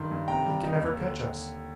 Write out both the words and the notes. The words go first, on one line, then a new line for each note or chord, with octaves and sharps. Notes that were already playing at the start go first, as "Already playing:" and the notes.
He can never catch us.
Already playing: G2 D#3 C6
G2
C3 G5 A#5
G3
D#4
D#2
D3